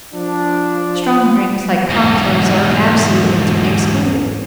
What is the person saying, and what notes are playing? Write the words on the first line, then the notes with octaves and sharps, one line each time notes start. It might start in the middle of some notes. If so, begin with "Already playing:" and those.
Strong drinks like cocktails are absolutely to be excluded.
F3 D4
E2 G#2